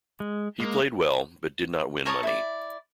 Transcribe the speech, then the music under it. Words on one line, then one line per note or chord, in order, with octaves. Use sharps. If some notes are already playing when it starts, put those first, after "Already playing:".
He played well, but did not win money.
G#3
G#3 A#3
A#4 C#5 A5 D#6
E4 D5